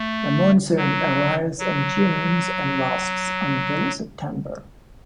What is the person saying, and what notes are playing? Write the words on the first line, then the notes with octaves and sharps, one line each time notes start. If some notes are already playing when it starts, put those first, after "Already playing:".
The monsoon arrives in June and lasts until September.
Already playing: A3
F#3
F#3